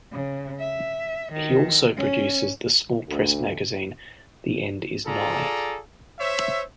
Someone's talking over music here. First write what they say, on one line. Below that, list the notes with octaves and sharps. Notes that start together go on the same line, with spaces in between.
He also produces the small press magazine "The End Is Nigh".
C#3
E5
D#3
C#4
D2
F4 G#4 A4 D5 A#5
C5 C#5 E5